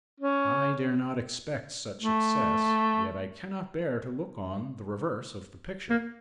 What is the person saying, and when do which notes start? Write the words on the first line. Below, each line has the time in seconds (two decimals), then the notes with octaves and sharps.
I dare not expect such success, yet I cannot bear to look on the reverse of the picture.
0.20 C#4
2.02 A3
5.90 A#3